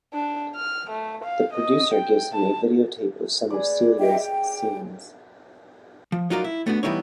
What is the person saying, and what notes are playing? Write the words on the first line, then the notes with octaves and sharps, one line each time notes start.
The producer gives him a videotape of some of Celia's scenes.
D4
F6
A3
F5
D#5
G5
A5
G#4 B4 D5
D#5 E5 G5
G5
F3
F#3 D#4 F4 F#4 A#4 D5
E4
A3 B3 D4 F#4
E3 G3 B3 D#4 E4 C#5